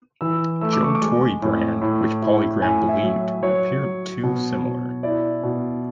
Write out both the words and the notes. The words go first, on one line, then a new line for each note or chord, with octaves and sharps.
Joe toy brand, which, PolyGram believed, appeared too similar.
E3 E6
A3 E6
D6
C#6
D6
G#3
A2
A2
E4
A2 G#5
E5
F#3
F#3 C#5
F#3
B2
B2
E4 D5
B2